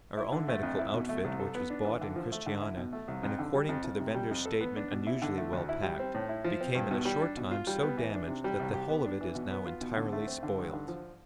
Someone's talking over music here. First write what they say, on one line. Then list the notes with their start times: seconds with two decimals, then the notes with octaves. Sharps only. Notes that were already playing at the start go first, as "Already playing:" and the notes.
Our own medical outfit, which was bought in Christiania, and according to the vendor's statement unusually well packed, became in a short time so damaged that the whole of it is now entirely spoilt.
0.17 E4
0.32 D3
0.48 A3
0.63 F2
0.79 E4
0.94 B2
1.09 A3
1.24 C2
1.39 A4
1.55 B3
1.70 D4
1.85 E3
2.01 D3
2.16 F3
2.32 A3
2.46 D3
2.62 E4
2.77 B2
2.93 A3
3.08 C2
3.23 F2
3.39 D3
3.54 G3
3.69 F2
3.84 F2
4.00 C3
4.15 G3
4.31 F2
4.45 A4
4.61 B3
4.76 D4
4.92 B2
5.07 E4
5.22 D3
5.38 A3
5.53 D2
5.69 E4
5.83 G3
5.99 C4
6.15 A2
6.29 E4
6.44 F3
6.61 C4
6.75 G2
6.91 B2
7.05 G3
7.21 D4
7.37 B2
7.51 F4
7.67 G3
7.83 B3
7.97 E3
8.14 D4
8.28 C3
8.44 G3
8.60 C2
8.74 G4
8.89 B3
9.05 D4
9.21 E3
9.35 B2
9.51 B3
9.66 F4
9.81 B2
9.97 D3
10.13 A3
10.27 C4
10.43 D3
10.58 G2
10.73 D3
10.88 F3